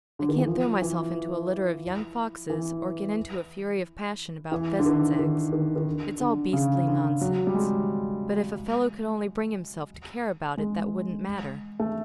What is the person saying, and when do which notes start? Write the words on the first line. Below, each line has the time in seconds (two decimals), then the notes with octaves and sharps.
I can't throw myself into a litter of young foxes, or get into a fury of passion about pheasants' eggs. It's all beastly nonsense, but if a fellow could only bring himself to care about it that wouldn't matter.
0.19 D3
0.29 D#3
0.38 E3
0.47 F3
0.82 E3
2.50 E3
4.52 E3
4.79 D3
4.86 D#3
5.19 D#3
5.53 D#3
5.76 D#3
5.86 D3
6.20 D3
6.53 C#3
6.87 D3
7.21 F#3
7.47 G3
7.55 G#3
10.57 G#3
11.80 A3